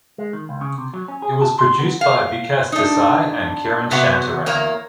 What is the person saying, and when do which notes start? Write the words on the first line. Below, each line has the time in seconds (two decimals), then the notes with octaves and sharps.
It was produced by Vikas Desai and Kiran Shantaram.
0.18 G#3
0.33 D#3
0.49 C#2
0.61 C#3
0.78 C3
0.94 F#3
1.08 C#4
1.22 G#4
1.42 A5
1.59 C6
1.79 B3
2.01 F5
2.72 D4 D#4
3.91 C3 B3 F#4 B4 F#5
4.46 E2 A#3 C#5 A#5